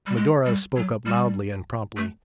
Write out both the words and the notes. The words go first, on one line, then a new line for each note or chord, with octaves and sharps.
Medora spoke up loudly and promptly.
G3
G#3
G3
F#3
G3
A3